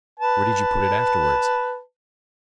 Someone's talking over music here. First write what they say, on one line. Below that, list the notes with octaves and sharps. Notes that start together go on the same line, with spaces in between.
"Where did you put it afterwards?"
B4 A5